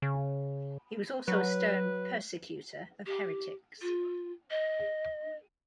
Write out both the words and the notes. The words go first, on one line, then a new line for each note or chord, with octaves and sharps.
He was also a stern persecutor of heretics.
C#3
F#3 B4
G4
F4
D#5